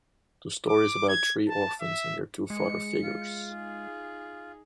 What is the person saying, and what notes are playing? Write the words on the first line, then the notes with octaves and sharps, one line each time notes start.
The story is about three orphans and their two father figures.
D6
G#6
A5
E5
G#3 C#7
F4
D#4 G#4